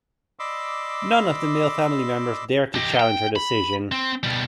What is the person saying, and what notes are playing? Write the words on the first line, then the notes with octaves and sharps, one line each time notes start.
None of the male family members dared to challenge her decision.
D5 D#5 B5 C6 D6 E6
G4 D#5
G5
B5
C4
B2 G3